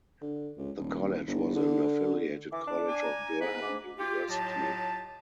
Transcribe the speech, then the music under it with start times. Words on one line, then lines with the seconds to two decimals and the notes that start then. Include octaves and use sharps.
The college was an affiliated college of Durham University.
0.22 D3
0.58 C#2
0.79 D#1
1.27 G1
1.55 D3
2.52 E3 D6
2.67 D4
2.87 G#5
3.03 A#5
3.41 G#2 B4 A#5
3.62 G#2 D6
3.98 F4 G4
4.29 A2 F#3 F4 G4 D#5 A5